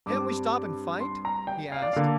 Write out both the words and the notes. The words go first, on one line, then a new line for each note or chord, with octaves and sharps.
"Can't we stop and fight?" he asked.
G2 G3 C4 D6
C6
A#5
G5
F5
D5
D3 A#3 F5